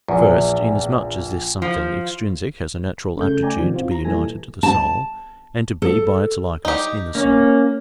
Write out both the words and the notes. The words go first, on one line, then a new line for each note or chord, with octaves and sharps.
First, inasmuch as this something extrinsic has a natural aptitude to be united to the soul, and to be by its likeness in the soul.
A#1 E2
F3
C#3 A3 G6
D5 G5 G#5 A#5
C3 D#3 F3
C4 F4
A#5
A#2 E3 G3 A4 G#5 A#6
A5
A4
D#4 G4
A#3 C#4